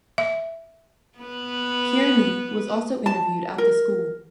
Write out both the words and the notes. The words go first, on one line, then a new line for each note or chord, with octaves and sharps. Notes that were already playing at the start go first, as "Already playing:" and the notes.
Kearney was also interviewed at the school.
E5
B3 B4
A5
A#4